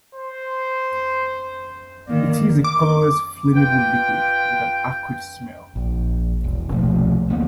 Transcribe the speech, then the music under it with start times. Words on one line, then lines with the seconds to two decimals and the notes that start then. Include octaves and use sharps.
It is a colourless flammable liquid with an acrid smell.
0.15 C5
2.07 D#3 A#3 D5
2.64 D6
3.55 F4 G4 B4 G5
5.76 A#1
6.44 E1
6.72 C2 B2 F3 A3
7.30 D2 A#3 B3